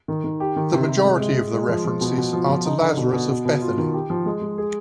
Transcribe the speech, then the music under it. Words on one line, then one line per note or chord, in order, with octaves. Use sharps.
The majority of the references are to Lazarus of Bethany.
D#3
D#3
G4
D#3
C3
C3
G#3
G#3
G#3
G#3
F3
F3
B2
B2
F3
F3
D#4
D3
B2
B2
B2
B2
F4
D#3
G4
F3
G#3
G#3
G#4